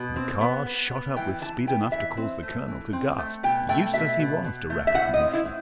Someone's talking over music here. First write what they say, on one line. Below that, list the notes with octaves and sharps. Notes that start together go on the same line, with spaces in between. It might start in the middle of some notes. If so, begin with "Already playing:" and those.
And the car shot up with speed enough to cause the colonel to gasp, used as he was to rapid motion.
Already playing: B2
C4
B3
B3
B3
E3 G5
E3 A5
B3 G5
E3 E5
C4
A3
E3
C4
A3
B2 G5
A3 G5
B2 E5
B2
B2
A3
E5
A2 F#5
D#5
C4
E4
A2